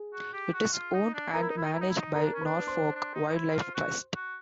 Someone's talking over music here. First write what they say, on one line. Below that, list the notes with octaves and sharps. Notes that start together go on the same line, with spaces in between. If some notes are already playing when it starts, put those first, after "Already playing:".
It is owned and managed by Norfolk Wildlife Trust.
Already playing: G#4
F#4
G4
F#4
F4
D#4
D4
D#4 A#4 A#5
E4
D#4
E4
D#4
E4
D#4
E4
D#4
D#4 A#4 A#5
D4
C#4
D4 B4 B5
C5 C6
D4
D#4
D#4
E4
F4
F#4
F#4